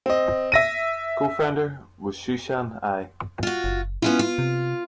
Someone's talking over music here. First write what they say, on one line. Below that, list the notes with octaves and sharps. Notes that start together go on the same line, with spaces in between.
Co-founder was Xuexian Ai.
C4 D#5
E5 A#6 D#7
F4 F#4
F#1
B3 C#4 E4 F4
F4
C3